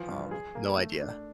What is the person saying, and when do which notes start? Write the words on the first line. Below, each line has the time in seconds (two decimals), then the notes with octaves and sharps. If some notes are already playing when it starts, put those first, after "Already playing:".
Um, no idea.
Already playing: E3 F3
0.09 G2
0.31 G#4
0.55 A#3
0.77 A3
1.00 D4